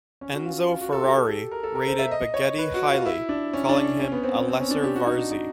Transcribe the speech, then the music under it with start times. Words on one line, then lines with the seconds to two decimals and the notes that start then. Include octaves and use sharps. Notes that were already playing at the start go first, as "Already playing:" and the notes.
Enzo Ferrari rated Baghetti highly, calling him, 'a lesser Varzi'.
0.21 C#4
0.33 F#4
0.45 F4
0.69 F4
0.81 F#4
0.92 A4
1.04 G4
1.16 A4
1.27 G4
1.51 A#4
1.63 A4
1.75 A#4
1.87 C5
1.99 E5
2.11 D#5
2.34 C#5
2.58 B4
2.74 F#4
2.90 F4
3.06 E4
3.29 D4
3.53 C#4
3.69 D4
4.00 C#4
4.12 B3
4.23 C4
4.35 C4
4.48 C4
4.60 C#4
4.71 D4
4.84 G4
4.96 F#4
5.06 D#4
5.18 D4
5.30 D#4